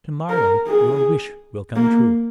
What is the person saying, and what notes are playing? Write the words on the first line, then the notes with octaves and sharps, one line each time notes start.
"Tomorrow your wish will come true."
A#4
G#4
A#3